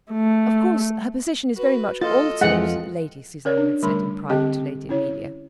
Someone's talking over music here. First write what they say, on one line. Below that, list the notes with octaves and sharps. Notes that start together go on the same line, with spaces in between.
"Of course her position is very much altered," Lady Susanna had said in private to Lady Amelia.
A3
F#4 B4
F4 A4 D#5 A6
F2 E3 F3 G#3 F#5 G5
C#4 A#4 C#5 D5
D4
D3 G3 A3 A#4 B5 C6
D3 C4 G4 D#5 G5
C#4 E4 C#5